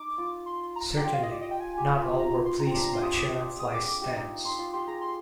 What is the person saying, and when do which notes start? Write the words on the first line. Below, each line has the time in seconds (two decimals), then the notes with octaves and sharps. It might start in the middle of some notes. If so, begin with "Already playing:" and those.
Certainly, not all were pleased by Chairman Fly's stance.
Already playing: D#4 D6
0.18 F4
0.46 C6
0.76 A#5
0.96 G4
1.03 F4 G5
1.14 F5
1.23 D#5
1.32 D5
1.41 D#5
1.51 G5
1.60 G#5
1.78 G4
1.89 F4
2.03 F4
2.17 D#4 A#5
2.45 C6
2.60 A#5
2.67 C4
2.73 D4 A#5
2.84 A#5
2.93 F4 C6
3.02 G4 D#6
3.59 G#4 D#6
3.74 D6
3.88 D6
4.02 G4
4.16 D#4
4.44 D#4 C6
4.59 F4
4.73 G4 C6
4.87 G#4 A#5
5.01 C6